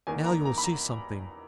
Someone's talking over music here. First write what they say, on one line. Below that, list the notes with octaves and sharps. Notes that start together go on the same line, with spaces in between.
Now you will see something.
E2 D#3 A#3 G#5
A#5
A#5
B5
A#5